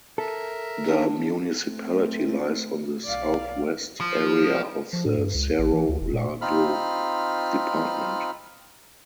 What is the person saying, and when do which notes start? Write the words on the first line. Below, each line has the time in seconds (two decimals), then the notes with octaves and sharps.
The municipality lies on the southwest area of the Cerro Largo Department.
0.18 A4 A#4 E5
0.85 D4
1.61 A3 C4
3.05 B1 D5 F5
4.01 F3
4.93 F3
5.05 A2
5.18 G2
5.35 C#2
5.59 A1
5.73 E3
5.89 D2
6.01 E1
6.13 A#2
6.41 C4 D#4 F4 B5 F6